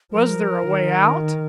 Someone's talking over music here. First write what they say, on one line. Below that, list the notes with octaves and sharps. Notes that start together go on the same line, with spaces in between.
Was there a way out?
F3 A#4
D#3